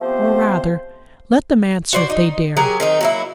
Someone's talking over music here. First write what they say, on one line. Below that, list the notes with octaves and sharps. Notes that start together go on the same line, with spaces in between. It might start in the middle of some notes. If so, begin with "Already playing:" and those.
Or, rather, let them answer if they dare.
F3 A3 B3 C4 G4 C5
F#4 C5 D5
D#4
F#3 G4 G#4 A#4
D#3 C4 D#4
F#3 A#3 E4